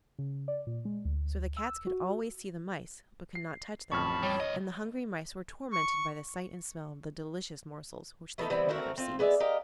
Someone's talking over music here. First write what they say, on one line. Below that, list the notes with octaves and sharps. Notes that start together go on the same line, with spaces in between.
So the cats could always see the mice, but could not touch them, and the hungry mice were tormented by the sight and smell of the delicious morsels which they could never seize.
C#3
D5
A#2
G#3
D2
E6
F#4
C7
A1 F2 A5 B5 C#6 F6
G3 C#5
C2 D#5
C#6
A3 B3 D#4 A4
E3 G3 B3 C4
A3 C4 F#4 A#4
C4 F4
G#3 B3 D5 E5
G4 A#4 D#5 F5